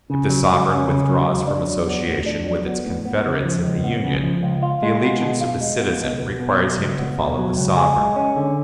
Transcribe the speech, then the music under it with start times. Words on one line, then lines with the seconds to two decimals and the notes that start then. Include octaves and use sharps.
If the sovereign withdraws from association with its confederates in the Union, the allegiance of the citizen requires him to follow the sovereign.
0.10 C#3
0.29 F#3
0.50 C#2
0.70 C#4
0.88 C#3
1.09 F#3
1.28 C#2
1.47 D4
1.67 F#3
1.88 B3
2.07 A2
2.26 D4
2.46 F#3
2.66 B3
2.85 A2
3.05 B3
3.25 C#3
3.45 F3
3.64 C#2
3.84 B3
4.04 C#3
4.24 F3
4.43 C#2
4.63 F4
4.83 G#3
5.02 B3
5.21 B2
5.41 F4
5.61 G#3
5.80 B3
6.00 B2
6.20 B3
6.39 B2
6.59 F#3
6.78 C#2
6.99 B3
7.18 B2
7.38 F#3
7.57 C#2
7.76 G#4
7.96 G#3
8.16 C#4
8.36 D3